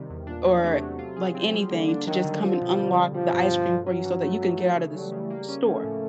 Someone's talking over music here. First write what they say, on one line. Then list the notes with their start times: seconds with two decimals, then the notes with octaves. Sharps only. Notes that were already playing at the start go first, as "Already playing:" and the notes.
or, like, anything to just come and unlock the ice cream for you so that you can get out of the s store.
Already playing: C3 D#3 G3
0.10 E2
0.27 A#2 D4
0.45 F#3
0.63 C3 A3
0.81 F#3
0.99 F4
1.16 G#4
1.35 C4
1.54 G3
1.71 D3 A#3
1.88 D4
2.07 D#3 F#3
2.24 D3
2.43 F3 C4
2.61 B2
2.79 G3
2.97 B2
3.14 F3 G3
3.33 G2
3.51 D3
3.69 G2
3.86 F#3 C#4
4.05 E3
4.23 A3
4.41 E3
4.58 A3
4.76 C#3
4.94 F#3 G3
5.12 C#3
5.30 A#3
5.49 C#4
5.66 F3 A3
5.84 A2